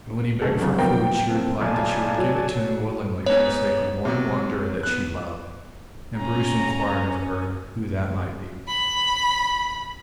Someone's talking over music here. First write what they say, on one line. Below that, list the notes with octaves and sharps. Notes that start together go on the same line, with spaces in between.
And when he begged for food she replied that she would give it to him willingly for the sake of one wanderer that she loved; and Bruce inquired of her who that might be.
F2 D3 G#3 F#4 A4
G1 F#3 F4
F3 B3 A#4 G5
A#3 C4 A4
B1 D5 G#5 A5
F#3
G#2 B3 C#5
C3 F#3
B3 F#6
C#4 A#5
B5